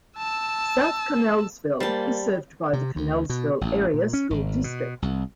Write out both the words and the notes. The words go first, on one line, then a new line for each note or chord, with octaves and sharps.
South Connellsville is served by the Connellsville Area School District.
A5 E6
G3 A#3 C5 A5
C3
D2
B2
A1
A#2
C#4
G#1
B2
C2